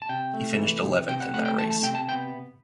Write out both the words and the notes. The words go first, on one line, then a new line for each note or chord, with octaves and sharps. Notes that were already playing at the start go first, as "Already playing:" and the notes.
He finished eleventh in that race.
A5
C3 G5
A3
E3
C3
C3 G5
F#5
A3 F#5
G5
E3 A5
A5
C3 G5
A5
B3 G5